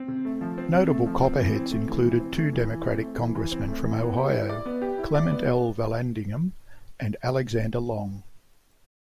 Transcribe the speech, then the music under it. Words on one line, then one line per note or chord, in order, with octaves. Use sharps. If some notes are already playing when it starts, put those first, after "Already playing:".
Notable Copperheads included two Democratic congressmen from Ohio: Clement L. Vallandigham and Alexander Long.
Already playing: C4
C3
A3
F3
C4
C3
A3
F3
C4
E3
C4
A3
E3
E3
C4
A3
E3
E3
C4
A3
E3
E3
C4
A3
E3
B3
G4
E4
D5
B3
G4
E4
D5
B3